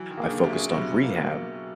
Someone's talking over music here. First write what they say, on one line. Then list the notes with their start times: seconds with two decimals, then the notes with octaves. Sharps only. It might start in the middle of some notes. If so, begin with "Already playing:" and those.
I focused on rehab
Already playing: E3 F#3
0.10 D#3
0.17 C#3 A#3
0.31 D3
0.43 C3 F#3
0.52 C#3
0.70 B2
0.74 C3 F#3
1.03 A#3
1.31 F#3